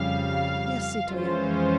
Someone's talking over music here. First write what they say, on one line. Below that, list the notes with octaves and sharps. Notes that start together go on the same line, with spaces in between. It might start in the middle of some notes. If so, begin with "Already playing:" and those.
"Yes, citoyen."
Already playing: F2 C#3 G3 F5
F2 E3 G#3 C#4 F4 C5